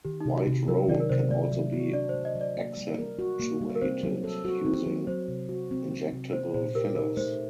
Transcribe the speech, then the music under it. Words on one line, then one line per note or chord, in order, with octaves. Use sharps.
White roll can also be accentuated using injectable fillers.
D#3 G4
D#4
C3
F#4
C3
F#3 A#4
D#3 D5
A#4
C3 C5
A3 D5
F#3
F#4
D4 D5
A3 C5
D#5
F#3
D5
A#3
G3
A#4
F#4
A#3
G3
A#4
C4 C5
F#3
A4
F#4
C4
F#3
F#3 C5
C3
F#4
C4
F#3
C3
A3 C5
A#2 C5
G4 A#4
D#4 A#4
A3 C5